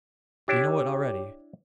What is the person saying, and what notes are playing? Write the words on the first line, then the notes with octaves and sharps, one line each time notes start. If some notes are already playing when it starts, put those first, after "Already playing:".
You know it already.
D4 E4 G4 C#5 G5 D6